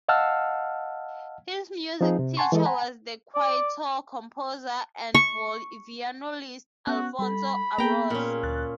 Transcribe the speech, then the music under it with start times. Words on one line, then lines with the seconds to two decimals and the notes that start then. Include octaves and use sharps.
His music teacher was the Quito composer and violinist Alfonso Arauz.
0.09 D#5 F5 F#5 A5 E6 F6
2.01 F3 C4 D#4 G#4
2.19 C3
2.37 F#5 G#5 A5 C6 C#6
2.52 E3 G#3 A4 D#5
2.65 F#5 G#5 A#5 B5
3.35 D5
5.15 C#6
6.87 B3 C#4 F#4 F#6
7.19 G3 A4 B5
7.78 A#3 B3 G#4 G5 A#5
8.10 A#2 C#4
8.43 D2 F#6 A6